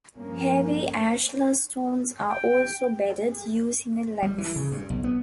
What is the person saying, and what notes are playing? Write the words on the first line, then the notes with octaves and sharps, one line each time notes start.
Heavy ashlar stones are also bedded using a lewis.
G2 F3 A#3 C#4
G5
G3
E3
C#3
G2
B1
B3